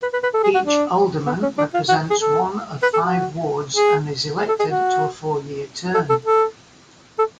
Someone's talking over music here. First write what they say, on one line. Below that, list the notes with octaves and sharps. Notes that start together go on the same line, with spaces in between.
Each alderman represents one of five wards and is elected to a four-year term.
B4
B4
B4
A4
G#4
F#4
D4
B3
C#4
D4
F4
F#4
G#4
A4
B4
A4
F#4
G#4
G#4
A4
G#4
F#4
A4
A4
A4
A4